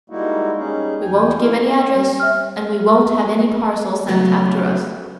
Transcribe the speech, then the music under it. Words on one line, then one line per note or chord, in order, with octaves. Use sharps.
We won't give any address, and we won't have any parcels sent after us.
G3 G#3 A#3 D#4 E4 F#4
G3 C#4 D#4 G#4
E2 G5 G#5
A#3 E4 A#4
G3
E5 F6
C#3 F#3 A3 B3